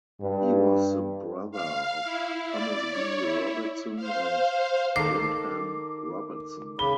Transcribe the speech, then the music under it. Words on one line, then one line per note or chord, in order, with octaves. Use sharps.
He was the brother of Thomas B. Robertson and Wyndham Robertson.
G2
F5
E4
D5
C#5
E4
C5 F5
D#3 A4 D6 C7
C#3 B5 G7